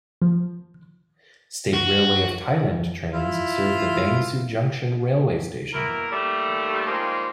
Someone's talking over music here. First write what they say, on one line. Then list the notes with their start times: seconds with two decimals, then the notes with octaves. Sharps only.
State Railway of Thailand trains serve the Bang Sue Junction Railway Station.
0.22 F3
1.73 F#4
3.13 E4 F4
5.73 B2 A#3 E4 A#4
6.11 D#2 G3 A3
6.86 F3 G3 G#3 A#3 C4 D#4